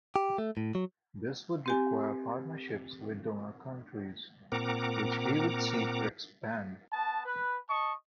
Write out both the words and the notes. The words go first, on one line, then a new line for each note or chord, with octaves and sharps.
This would require partnerships with donor countries, which he would seek to expand.
G4
A3
A2
F#3
C4 G4 G#5
A#2 C4 A#4 F#5 A#5 D6
B3 A5
B4
D#5 A5 C#6